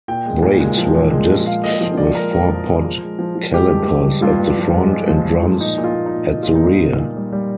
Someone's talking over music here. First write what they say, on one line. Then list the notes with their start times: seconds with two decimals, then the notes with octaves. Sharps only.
Brakes were discs with four-pot calipers at the front, and drums at the rear.
0.08 A#2 G5
0.26 G#3
0.42 A#2
0.60 G#3
0.78 F3
0.95 A#2
1.11 G#3
1.29 F3
1.46 G#3 F5
1.64 A#2 D#5
1.81 F3
1.98 G#3 D5
2.15 G#3 A#4
2.32 A#2
2.50 F3
2.67 G#3
2.84 F3
3.02 G#3
3.19 F3
3.36 F3
3.54 G#3 G4
3.71 G2
3.88 G2
4.05 G2
4.22 G2 F4
4.39 G2
4.57 F3
4.74 G#3
4.91 G#3
5.08 F3
5.26 G#3
5.43 F3
5.61 A#2 D#4
5.78 A#2
5.84 F4
5.95 A#2
6.06 D#4
6.12 A#2
6.29 A#2 D#4
6.43 A#2 F4
6.55 D#4
6.64 G3
6.81 A#2
6.99 A#2
7.16 G3
7.33 G3